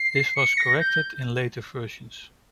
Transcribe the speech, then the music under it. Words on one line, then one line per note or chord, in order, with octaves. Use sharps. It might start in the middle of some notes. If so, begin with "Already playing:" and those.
This was corrected in later versions.
Already playing: C7
C#7
A#6
G6